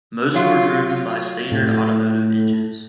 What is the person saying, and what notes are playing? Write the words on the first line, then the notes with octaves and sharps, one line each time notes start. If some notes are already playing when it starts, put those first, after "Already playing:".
Most were driven by standard automotive engines.
F#3 F4
A2